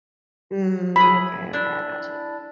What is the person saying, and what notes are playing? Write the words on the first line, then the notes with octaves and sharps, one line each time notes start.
Mm, okay, okay, I got you.
E4 G#4 B5
D4 E4